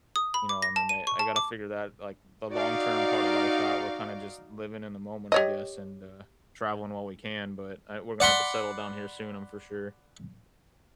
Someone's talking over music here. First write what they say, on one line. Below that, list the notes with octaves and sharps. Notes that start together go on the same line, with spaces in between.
you know, I mean, I I gotta figure that like, the long term part of life out. We're kinda just living in the moment, I guess, and, uh, traveling while we can, but uh, we're gonna have to settle down here soon, I'm for sure,
D#6
B5
D6
A#6
A5
D#7
C#6
A5
D6
D#4 F#4 D5 F5
G4 C#5 D#5
D5 F#5 B5 C6